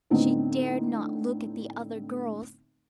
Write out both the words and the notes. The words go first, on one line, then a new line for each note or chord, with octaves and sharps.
She dared not look at the other girls.
A2 D3 B3 C4 D#4